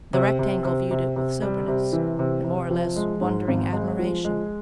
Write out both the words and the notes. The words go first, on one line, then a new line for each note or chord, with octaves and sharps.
The Rectangle viewed it with soberness and more or less wondering admiration.
C3
C3
C3
C3
C3
G3
C3
E3
C3
C3
F3
G#3
G#2
G#1
G#3
F3
G#3